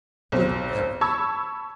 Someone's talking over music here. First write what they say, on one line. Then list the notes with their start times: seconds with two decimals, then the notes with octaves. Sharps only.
Good heavens!
0.32 B1 C4
1.01 A5 B5 C#6 E6 G#6